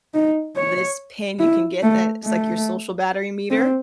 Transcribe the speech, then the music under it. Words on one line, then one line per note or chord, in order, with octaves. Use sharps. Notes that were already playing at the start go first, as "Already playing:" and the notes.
this pin you can get that it's like your social battery meter,
D#4
C#5
E4
A3
A3
C4